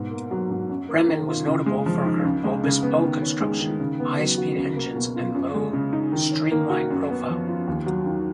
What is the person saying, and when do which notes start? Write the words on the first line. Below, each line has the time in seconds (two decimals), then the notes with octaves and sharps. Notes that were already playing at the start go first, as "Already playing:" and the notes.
"Bremen" was notable for her bulbous bow construction, high-speed engines, and low, streamlined profile.
Already playing: G#2 B2
0.11 A#3
0.31 F#3
0.50 G#2
0.69 F#2
0.89 A#3
1.08 D#3
1.28 F4
1.47 C#3
1.66 G#3
1.86 F3
2.05 D#4
2.24 C#2
2.44 G#3
2.64 C#3
2.83 B3
3.02 D#3
3.22 C#4
3.40 G#3
3.60 D#3
3.80 C#3
4.00 B3
4.19 F#3
4.38 F#4
4.57 C#2
4.76 A#3
4.96 B2
5.16 F4
5.35 F#2
5.54 G#3
5.73 C#3
5.93 D#4
6.12 D#3
6.32 C#4
6.51 A#3
6.70 F#4
6.90 F#2
7.10 B3
7.28 F3
7.48 F4
7.67 D#2
7.86 F#3
8.06 D#3